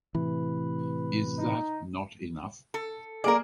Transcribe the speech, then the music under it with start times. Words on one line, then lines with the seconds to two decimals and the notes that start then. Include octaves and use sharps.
Is that not enough?
0.15 A2 C3 E3 B4
1.38 D#4
2.74 A4
3.24 A#3 G#4 A#4 D5